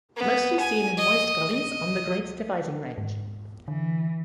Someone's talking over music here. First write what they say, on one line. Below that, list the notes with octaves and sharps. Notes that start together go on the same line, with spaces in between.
Mostly seen in moist gullies on the Great Dividing Range.
B3
G#5
D#5
D#5
G#2
D3 E3